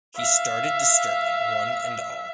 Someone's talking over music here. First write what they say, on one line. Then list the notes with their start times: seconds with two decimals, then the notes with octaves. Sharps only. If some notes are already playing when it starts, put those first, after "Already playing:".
He started disturbing one and all.
0.16 E5 F5